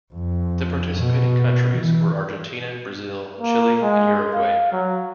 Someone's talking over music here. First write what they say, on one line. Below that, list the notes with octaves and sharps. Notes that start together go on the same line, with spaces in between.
The participating countries were Argentina, Brazil, Chile and Uruguay.
F2
B2
E3
A#3
G#3
F5
F#3